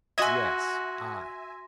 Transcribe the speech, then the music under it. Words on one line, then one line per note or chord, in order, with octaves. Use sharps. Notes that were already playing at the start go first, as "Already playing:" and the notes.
"Yes, I."
F#4 D#5 E5 G#5 C6 D#6 G#6 A#6